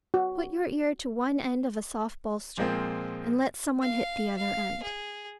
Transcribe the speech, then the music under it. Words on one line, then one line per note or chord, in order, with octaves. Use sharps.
Put your ear to one end of a soft bolster, and let some one hit the other end.
F#4
A#2 F3 G#3 A#3 C4
F5
F5
G#4